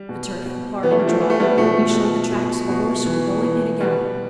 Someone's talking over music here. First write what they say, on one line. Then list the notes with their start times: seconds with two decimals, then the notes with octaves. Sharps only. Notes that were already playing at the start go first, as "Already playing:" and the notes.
The turf, hard and dry, only showed the tracks of a horse when going in a gallop.
Already playing: G3
0.09 B2
0.46 B2
0.82 E3 B3
0.91 A3
1.00 G3
1.07 F3 A3
1.20 E3 B3
1.30 A3
1.40 G3 B3
1.57 B2 F3 A3
1.94 B2
2.31 B2
2.69 B2
3.06 E3
3.44 E3
3.81 B2 G3 B3